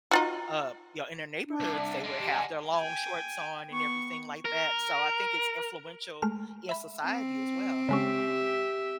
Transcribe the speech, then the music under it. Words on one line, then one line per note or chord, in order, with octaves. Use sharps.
uh, you know, in their neighborhoods, they would have their long shorts on and everything like that, so I think it's influential in society as well.
D#4 F4 F#4
D4
C2
G#3 D4
G4
F#5 G#5
G5 G#5
B3 C#6
A#4
G#3 A3 F6
E5 B5
C4
C#3 G#3 C#4 G4 E5